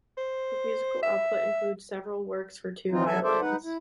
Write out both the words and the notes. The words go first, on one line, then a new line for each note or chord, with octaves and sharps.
His musical output includes several works for two violins.
C5
E5
E3 C4 D#4 F4
F#3 A4 E5 G#5
A4 C5 D5 E5
D#4 B4 F#5
E4